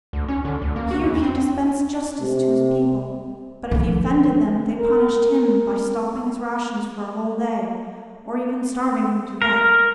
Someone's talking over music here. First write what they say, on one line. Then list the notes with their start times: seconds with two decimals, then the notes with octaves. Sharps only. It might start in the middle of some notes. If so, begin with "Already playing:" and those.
Here he dispensed justice to his people; but if he offended them, they punished him by stopping his rations for a whole day, or even starving him to death.
0.13 D2
0.28 C#4
0.45 D3
0.62 D2
0.76 A#3
0.91 F#4
1.04 E2
1.21 C4
2.20 C3
3.71 D3 F3
4.78 A#4
5.30 A#4
9.42 A#4